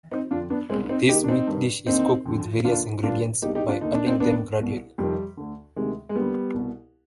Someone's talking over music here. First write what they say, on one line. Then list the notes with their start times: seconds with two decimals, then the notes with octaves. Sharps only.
This meat dish is cooked with various ingredients by adding them gradually.
0.11 C4 D#4
0.31 F2 D3 D4 F4
0.50 B3 D4
0.70 C2 B2 G#3 C4
0.89 C4 D#4
1.08 D#2 D#4 G4
1.12 D#3
1.24 D4
1.28 C4 D#4
1.47 G2 D#3
1.86 D#2 D3 C4 D#4
2.26 F2 D3
2.65 D#2 D3 D4 F4
3.03 G2 D3 D4 F4
3.42 C2 B2 D#4 G4
3.55 D#4 G4
3.68 D4 F4
3.81 D#2 D3 D#4
3.94 D4
4.07 C4 D#4
4.20 D#2 D#3 B3 D4
4.59 C2 B2
4.98 F2 C3 D#3 G3
5.37 D2 D3
5.76 D2 C3 D#3 G#3
6.09 G#3
6.15 D#2 D3 G3 B3
6.54 C2 B2